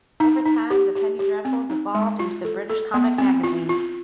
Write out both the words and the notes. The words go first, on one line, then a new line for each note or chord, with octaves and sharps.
Over time, the penny dreadfuls evolved into the British comic magazines.
D#4
D#4
G4
G4
G4
C4
D#4
G#3
F4
A4
A4
B3
C4
F4
F4